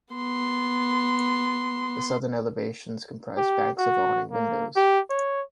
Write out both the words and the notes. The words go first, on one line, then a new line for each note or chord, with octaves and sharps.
The southern elevations comprised banks of awning windows.
B3 C6
G4
F#4
A#3
G4
C#5